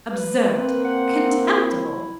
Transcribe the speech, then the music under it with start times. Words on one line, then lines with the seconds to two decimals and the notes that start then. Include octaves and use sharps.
Absurd! contemptible!
0.12 B4
0.55 A#3 C4
0.84 F#5
1.60 E4